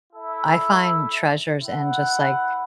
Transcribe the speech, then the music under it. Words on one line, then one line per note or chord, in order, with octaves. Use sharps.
I find treasures in just, like
E4 A4 E5
E4 B4 F#5